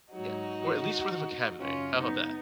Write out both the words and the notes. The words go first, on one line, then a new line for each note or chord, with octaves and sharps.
Yeah, or at least for the vocabulary how about that?
G#2 F#3 D#4 F#4
F#2 C#3 F#3 C#4 F4
B3 D#4